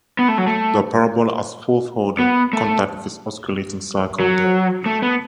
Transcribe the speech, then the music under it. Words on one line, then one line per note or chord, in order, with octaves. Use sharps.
The parabola has fourth order contact with its osculating circle there.
B3
A3
F#3
A3
B3
A3
F#3
A3
B3